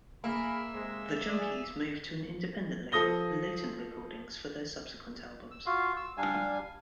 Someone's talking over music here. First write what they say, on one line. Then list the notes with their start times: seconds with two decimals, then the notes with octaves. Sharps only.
The Junkies moved to an independent label, Latent Recordings, for their subsequent albums.
0.24 A#3 G#4 A#4 E5 B5
0.72 C3 G#3
1.26 G#4 D5
2.92 F3 A4 D#6 A#6 G7
5.51 E6
5.66 F4 F#4 F5
5.96 E6
6.18 G3 D4 F5 G#5